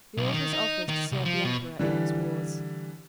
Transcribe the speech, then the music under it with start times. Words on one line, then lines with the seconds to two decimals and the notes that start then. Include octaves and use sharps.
The author's offers to serve the emperor in his wars.
0.17 B1
0.33 D#3
0.53 D#4
0.89 D#3
1.12 C2
1.25 F3
1.45 B2
1.79 D3 E3 G3